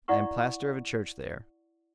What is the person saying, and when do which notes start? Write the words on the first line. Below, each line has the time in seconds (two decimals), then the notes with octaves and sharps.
I am pastor of a church there.
0.08 E4 D5 D#5 F#5 A#5 C#6